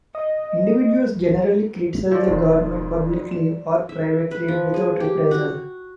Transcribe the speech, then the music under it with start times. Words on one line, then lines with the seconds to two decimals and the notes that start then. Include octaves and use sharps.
Individuals generally criticize the government publicly or privately without reprisal.
0.15 D#5
2.11 F3 C5 D5 C#6 E6
2.27 E1 B1 F2 D#3
3.31 E3 E7
3.89 E5
4.31 B4
4.48 F3
4.74 G#4
5.00 G4
5.31 F#4